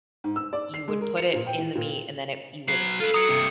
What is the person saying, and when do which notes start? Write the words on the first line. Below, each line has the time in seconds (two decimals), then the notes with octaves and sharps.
you would put it in the meat, and then it you would
0.24 G#2
0.36 E6
0.53 D5
0.74 C7
0.88 G#3
1.01 A#4
1.17 C#7
1.33 A#2
1.46 G5
1.58 E3
1.75 A#2
2.68 F#3 B4 C7
3.00 F4 A4 B4
3.14 F#4 A#5 D#6 C#7
3.28 G2 C3